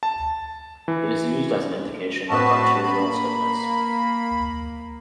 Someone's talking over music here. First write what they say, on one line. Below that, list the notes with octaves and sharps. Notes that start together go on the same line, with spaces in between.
It is used as an indication of arterial stiffness.
A5
E3
A2 C4 F#4 B4 A5
A#3 B5